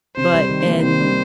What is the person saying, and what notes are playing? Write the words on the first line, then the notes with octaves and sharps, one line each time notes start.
but in
C3 C5
G3
D#3
A#3
C3 C5
G3